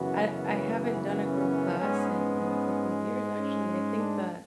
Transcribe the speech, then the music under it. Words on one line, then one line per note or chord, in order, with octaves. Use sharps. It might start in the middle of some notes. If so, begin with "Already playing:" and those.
I I haven't done a group class in in a couple years, actually. I think that
Already playing: F#2 C#3 E3 B3 F#4
C#4
C#4
G#2 G#3 B3 C#4
C#4
C#4
B3
C#4
C#4
D4